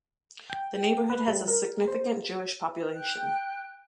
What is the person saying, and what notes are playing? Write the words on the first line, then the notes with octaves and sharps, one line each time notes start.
The neighbourhood has a significant Jewish population.
G5
B4
G3
A#4
C5
G5 F#6